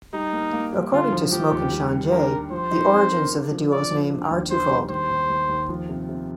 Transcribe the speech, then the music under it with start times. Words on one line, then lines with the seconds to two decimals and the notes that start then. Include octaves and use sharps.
According to Smoke and Shawn Jay, the origins of the duo's name are twofold.
0.13 G3 D#4
0.33 A#3
0.53 A#3
0.73 G3
0.92 D3 F4
1.12 F3
1.32 F3 G4
1.52 D#2
1.72 G3
1.92 G3
2.11 D4 A#4
2.31 G3
2.51 F3 C5
2.71 D#4
2.91 C4
3.11 A#4
3.31 D4
3.51 F3
3.71 G#4 D5
3.91 F3
4.10 D4
4.30 D#2
4.50 D4 C5
4.70 G3
4.89 D#2 C5
5.10 D#2
5.30 D#2
5.49 D#2
5.69 F3
5.89 C3
6.09 C3